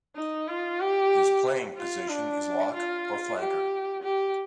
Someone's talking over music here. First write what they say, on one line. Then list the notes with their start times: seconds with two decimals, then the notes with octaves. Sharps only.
His playing position is lock or flanker.
0.16 D#4
0.48 F4
0.80 G4
1.77 F4
2.09 D4
2.74 F4
3.39 G4
4.03 G4